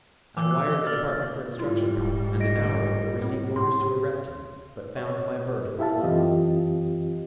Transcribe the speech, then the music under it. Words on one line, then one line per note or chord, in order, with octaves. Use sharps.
I wired the Department for instructions and an hour ago received orders to arrest him, but found my bird had flown.
E3 D6 E6
E6 F#6
D#5
D5 F6 A6
G#2 G3 E4 F4
D#1
D#5 A#6 D7
A2 C4
A2 G4 C6
C#5
E4 G4 A4 E5 F5 A5
F#2 E3 C4 F4 G4 D#5